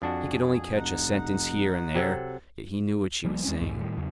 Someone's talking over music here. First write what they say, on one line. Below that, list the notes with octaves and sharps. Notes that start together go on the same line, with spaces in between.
He could only catch a sentence here and there, yet he knew what she was saying....
F2 D4 F#4 G#4
F1 D#4 F#5
C3 F#3 A4
F3 G3 A#3
E2 G#3 C4 C#4
C2 F2 G#2
A2 D#3 G3
E2 C#3 F#3